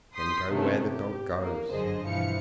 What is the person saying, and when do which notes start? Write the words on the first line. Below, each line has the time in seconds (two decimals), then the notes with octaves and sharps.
Then go where the dog goes.
0.14 C6 D#6 G6 B6
0.51 C3 D#3 F#3 A3 B3 C#4
0.85 G4
1.38 A#3
1.70 G1 F#2 D3 G#4 C5 D#5
2.06 G2 B2 E3 F3 F5 C#7